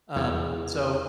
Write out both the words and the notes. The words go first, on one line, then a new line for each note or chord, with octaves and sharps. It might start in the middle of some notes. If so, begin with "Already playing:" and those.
Uh, so,
E2